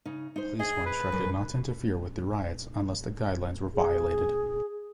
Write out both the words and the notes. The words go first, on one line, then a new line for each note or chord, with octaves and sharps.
Police were instructed not to interfere with the riots unless the guidelines were violated.
C#3 D#4
D#4 C5
G#4 D#5
B4
F#2
G#4